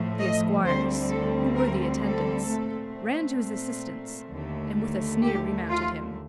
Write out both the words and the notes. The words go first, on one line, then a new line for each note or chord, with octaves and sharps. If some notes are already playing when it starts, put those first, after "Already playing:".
The Esquires, who were the Attendants, ran to his Assistance, and with a Sneer remounted him.
Already playing: A2 F3 A3
D#5
D2 D3 G3 C4 C5
A4
A#4
A4
A#2 A3 C4
D#2 D3 A3
G4
F4